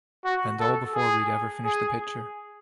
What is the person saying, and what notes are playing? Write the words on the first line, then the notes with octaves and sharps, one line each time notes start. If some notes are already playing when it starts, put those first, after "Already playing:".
And all before we'd ever finished the picture.
F#4
A4
G#4
G#4